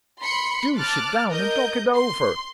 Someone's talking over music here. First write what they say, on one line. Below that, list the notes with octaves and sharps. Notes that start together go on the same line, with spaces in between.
Do sit down and talk it over.
B5 C6 C#7
A5 D6 F6 F#6 A6
A#4 D#5 G6
C6